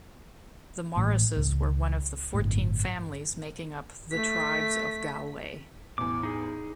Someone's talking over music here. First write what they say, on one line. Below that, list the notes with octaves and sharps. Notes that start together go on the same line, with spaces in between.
The Morrises were one of the fourteen families making up 'the Tribes of Galway'.
A1 A2 E3
C#2
G1 A2
A3 B6
A1 E2 D6
D#4 G#4